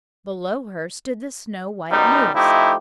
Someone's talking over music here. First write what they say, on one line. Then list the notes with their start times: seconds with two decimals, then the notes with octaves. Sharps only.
Below her stood the snow white moose.
1.90 F#2 B2 G3 D#4
2.34 F3 A3 D#4 E4 G4